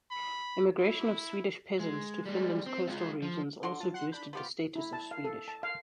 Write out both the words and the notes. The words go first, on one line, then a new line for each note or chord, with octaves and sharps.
Immigration of Swedish peasants to Finland's coastal regions also boosted the status of Swedish.
B5
E4
G#3
G3 G#3
C4
G#3 F4
F3
D3 F#4 C6
F#3 F4 A5
F#5 C6 F#6
D4 B5 G6
F3 B3 F4 G4 B5
E4
A5
F5
A4
A5
F5